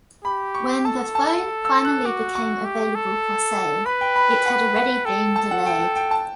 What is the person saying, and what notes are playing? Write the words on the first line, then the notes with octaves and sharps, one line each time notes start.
When the phone finally became available for sale, it had already been delayed.
G4 B5
C#6
A4 A5
A5
E6
F#6
F#4 D6
C#6
G4
A4
B4 B5
G5
B5
G5
F#5
F#5
A4 G5
A5
F#5
G5
G5
G5
A5